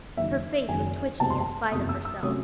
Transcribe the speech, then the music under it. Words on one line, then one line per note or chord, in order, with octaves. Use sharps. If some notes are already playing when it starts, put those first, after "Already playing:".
Her face was twitching in spite of herself.
F#1 F#2 D#3 E5
F#1 F#2 D#3 G#5
F#1 E2 C3 F#3 C4 A5
C6
A5
F#1 E2 C3 F#3 C4 D#6
E6
E6
C3 F#3 A3 C#4 D#6